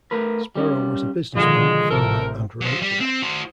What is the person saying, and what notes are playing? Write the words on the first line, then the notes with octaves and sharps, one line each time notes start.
Sparrow was a businessman, farmer and rancher.
A3 A#4 B4
G3 C#4
B2 D3 D#3 F3 G#3
A1 C3 A4 A#4
F#3 C5
G3
C4
F#4 C5